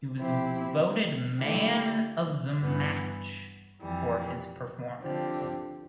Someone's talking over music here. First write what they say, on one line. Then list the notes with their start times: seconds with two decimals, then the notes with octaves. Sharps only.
He was voted man of the match for his performance.
0.18 C3 F3 C4 E4 G4
1.39 D3 A3 E4 G4
2.60 G2 E3 B3
3.81 F2 E3 G3
5.02 D3 F3 C4 G4